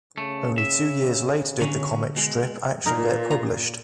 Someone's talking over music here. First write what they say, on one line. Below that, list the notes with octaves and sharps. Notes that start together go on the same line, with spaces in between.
Only two years later did the comic strip actually get published.
C#3 A3
E5
B2 D3 F#3 C#4
B2 G#3
A#2 D#4 A#4
A#5